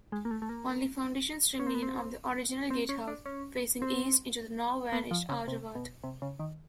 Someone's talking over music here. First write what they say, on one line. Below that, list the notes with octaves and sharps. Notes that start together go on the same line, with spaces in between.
Only foundations remain of the original gatehouse, facing east into the now-vanished outer ward.
G#3
A#3
A3
A3
A#3
C#4
C4
B3
C4
C4
C#4
D4
C#4
C4
B3
F3
C#3
C3
B2
C3
C#3
D#3